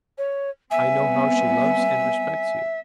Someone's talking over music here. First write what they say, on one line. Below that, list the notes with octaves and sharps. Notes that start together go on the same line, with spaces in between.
I know how she loves and respects you.
C#5
G3 B3 C4 E5 G#5